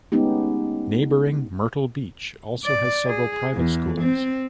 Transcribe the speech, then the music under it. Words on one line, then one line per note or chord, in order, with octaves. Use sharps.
Neighboring Myrtle Beach also has several private schools.
G#3 A3 B3 C#4 D#4 G4
D5
G#4
E2
C4